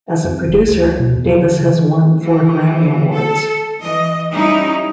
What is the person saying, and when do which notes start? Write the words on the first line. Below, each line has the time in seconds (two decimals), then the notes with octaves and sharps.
As a producer, Davis has won four Grammy Awards.
0.24 F2
0.48 F#1
0.67 D2
0.80 D2
0.98 B2
1.15 E2
1.28 F#3
1.41 D3
1.59 C#3
1.72 E3
2.21 E3
3.12 A4
3.80 E3 D#5
4.34 G3 C#4 D#4 E4